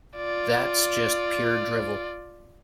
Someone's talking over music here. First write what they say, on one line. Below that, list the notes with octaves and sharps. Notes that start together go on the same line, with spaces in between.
That's just pure drivel!
F4 D5